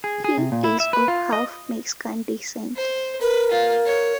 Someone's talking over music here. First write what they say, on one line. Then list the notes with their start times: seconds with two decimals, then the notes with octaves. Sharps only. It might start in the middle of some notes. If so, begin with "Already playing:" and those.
He is of half Mexican descent.
0.04 G#4
0.24 G#4
0.38 C3
0.52 A#2
0.64 E4
0.80 E5
0.93 B4
1.08 F4
1.33 D#5
2.76 C5
3.21 A#4 B4
3.51 F4
3.86 C#5